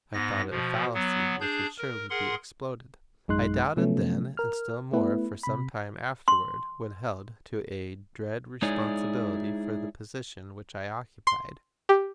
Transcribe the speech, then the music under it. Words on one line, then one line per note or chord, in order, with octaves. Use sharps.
I thought it a fallacy which would surely be exploded. I doubted then, and still more for some time afterward, when held to a dread responsibility for the position which I occupied.
G#2 B3 A#6
B2 F3
F#3 B3
D4 G#4 G6
A#4
G#4 A#4 F#5 C6
A1 F#2 G#3 D#4 C6 F#6
C3 F3 F#3 A3 B3 C#4
A#4 F6
A3 B3 E4 B4
C3 B5
C6
G#3 D#4 E4 G#4 C#5 D5
C6
G4